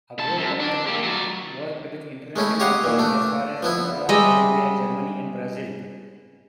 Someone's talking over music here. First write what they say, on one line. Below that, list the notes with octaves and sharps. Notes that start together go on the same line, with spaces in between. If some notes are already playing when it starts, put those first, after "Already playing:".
Agrokomerc worked with international companies as far away as Ecuador, Colombia, Germany and Brazil.
G#2 A5
F#2
D4
A#3 G4
F#3 D5
G#3 A3 C#4 E4
G4 C#5 D#5 F5 F#5
A#2 E3
A3 D4
F3 B3 E4
G3 G#3 D#5 E5